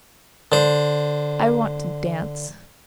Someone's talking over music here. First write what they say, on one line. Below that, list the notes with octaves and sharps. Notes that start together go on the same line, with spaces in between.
I want to dance.
D3 C5